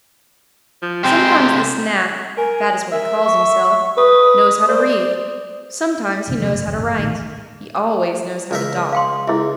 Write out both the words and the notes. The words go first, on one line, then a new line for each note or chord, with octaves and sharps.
Sometimes this gnat--that is what he calls himself--knows how to read; sometimes he knows how to write; he always knows how to daub.
F3
C3 G#3 C4
A#4 G#5
A#4 E5
C#6
B4 D#6
C5 D5
E1 C2 D3
C3 F#3 G#3 A3
G1
A1 D2
G1
A#1 E2 A2 D#3
C#2 A#4 E5
F5 G5 C6
C#2 E4 G#4 E5